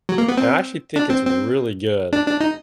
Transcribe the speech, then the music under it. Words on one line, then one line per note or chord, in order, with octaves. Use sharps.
and I actually think it's really good,
F#3
A#3
B3
C4
D4
C4
C4
D4
D4
D#4